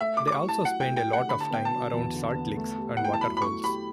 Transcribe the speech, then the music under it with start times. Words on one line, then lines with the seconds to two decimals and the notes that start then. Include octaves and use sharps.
They also spend a lot of time around salt licks and water holes.
0.01 A3 E5
0.17 D6
0.22 G4
0.27 D6
0.32 C#6
0.43 E4
0.49 A5
0.64 F#3 F#5
0.80 G5
0.86 A3
0.96 G5
1.07 G4
1.13 F#5
1.28 D3 B5
1.40 A5
1.51 B3 G5
1.65 A5
1.71 F#3
1.93 E2
2.14 D3
2.36 B3
2.57 A3
2.78 G4
2.97 F#5
3.00 E4 G5
3.14 A5
3.21 F#3 B5
3.37 B5
3.42 A3 C#6
3.64 G4 B5